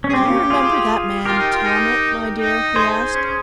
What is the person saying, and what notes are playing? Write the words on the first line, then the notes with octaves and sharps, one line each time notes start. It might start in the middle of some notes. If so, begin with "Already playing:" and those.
"Do you remember that man Talmot, my dear?" he asked.
C#4
G#4
C4 G4
A#3 C#4
F4 G#4
F4 G4 A#4
D#4
F4
D#4
D#4
G#4 C5
C#4
C#4